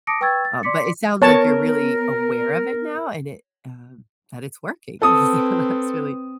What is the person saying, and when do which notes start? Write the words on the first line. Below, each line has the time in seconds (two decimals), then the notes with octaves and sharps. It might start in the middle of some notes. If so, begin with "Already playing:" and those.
um, but it sounds like you're really aware of it now and it, uh that it's working, so, that's really
0.07 A5 D6 D#6 A#6 C#7 D7
0.21 B4 G5 C#6 E6 G#6 A6
0.45 A6
0.63 D5 C6 D6 B6 C#7
1.22 B3 A#4 C#5 A5
5.02 C4 A4 B4 D#6